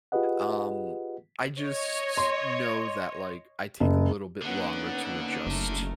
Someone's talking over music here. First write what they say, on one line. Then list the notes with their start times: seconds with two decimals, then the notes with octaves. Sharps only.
um, I just know that, like, I take a little bit longer to adjust
0.12 F4 G4 G#4 B4 D#5 F#5
1.60 C#5 D#5
2.17 C6
3.80 F#1
4.42 D3 A#3 B3 C#4 D#4 F#5
5.46 F#1 A3 A#4